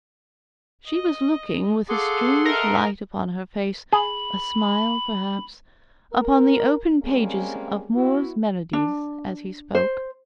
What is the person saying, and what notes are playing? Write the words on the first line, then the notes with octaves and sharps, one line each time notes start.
She was looking, with a strange light upon her face--a smile, perhaps--upon the open pages of 'Moore's Melodies' as he spoke.
D#5
G#4 A4 F5 F#5 C6 D6
A#4 D#5 E5
G#4 B5
A#4
G3 G#3 A#3 C4 C#4 G#4
B3 E4 F#4
D4
C5